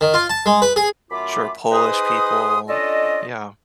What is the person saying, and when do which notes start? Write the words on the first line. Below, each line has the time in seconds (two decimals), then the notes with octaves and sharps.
Sure. Polish people. Yeah.
0.01 D#3
0.14 F4
0.30 A5
0.46 G#3
0.62 B4
0.76 G#4
1.11 F#2 A3 F4 B5 D6
1.72 D#4 G#4 B4 C5 C6 D#6
2.68 C#4 D4 F4 A4 D5 D#5